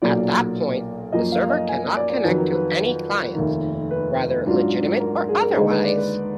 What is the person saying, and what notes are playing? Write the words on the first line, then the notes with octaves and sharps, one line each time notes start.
At that point, the server cannot connect to any clients, whether legitimate or otherwise.
B1 A#2 F#3 A#3 D5
F#2 F3 A#3 D#5
F5
D#5
G#5
D5
D5
F2 D#3 F#3 B4
A#4
B4
F1 D#2 D#3
B4
G#2 F#3 D4 F4
A#4
A#4
G#4
A#4
D#2 D3 G#3 D#4 G#4
B4
D5
B4